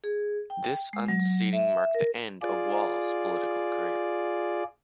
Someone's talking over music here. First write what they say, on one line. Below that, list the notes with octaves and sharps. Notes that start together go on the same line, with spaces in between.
This unseating marked the end of Walls' political career.
G#4
G5
G#3
F#3
E5
A#4
F4 G#4 D5